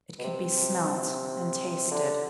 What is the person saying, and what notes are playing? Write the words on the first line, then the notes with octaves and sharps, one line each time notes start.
It could be smelt and tasted.
B2
C3
D3